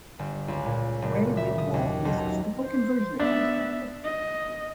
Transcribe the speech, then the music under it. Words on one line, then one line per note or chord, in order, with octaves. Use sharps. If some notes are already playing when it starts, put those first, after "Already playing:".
Ray Lindwall missed four conversion attempts that day.
G1
C#2
A#2
F#1
E5
D#6
D#2
B1
A#5
C5
B3 D4 E5
D#5